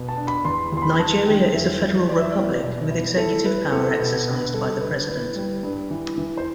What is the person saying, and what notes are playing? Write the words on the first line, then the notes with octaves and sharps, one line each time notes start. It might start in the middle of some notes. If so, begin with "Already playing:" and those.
Nigeria is a federal republic, with executive power exercised by the president.
Already playing: B2
A5
D4
B5
E2 C6
E2 C6
B5
E2 A5
D3 G5
E2 E5
F3
E4 D5
E5
D5
B3
B2
E4
E4 A4
E4 B4
B3 A4
B2
D3 B4
G3 A4
D3 B4
E4 B4
G3
G2
E3
E3
C5